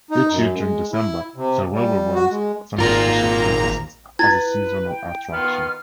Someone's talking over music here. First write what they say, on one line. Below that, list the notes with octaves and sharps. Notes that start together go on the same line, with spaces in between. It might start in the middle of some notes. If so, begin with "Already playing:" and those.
Each year during December, the railway runs Santa Special services as a seasonal attraction.
D#4
F#2
G#3
E4
C3
G3
F#4
G#3
G#1 A#3 F4 A#5
E4 B4 G#6 A6
G5
D#3 B3 F4 F6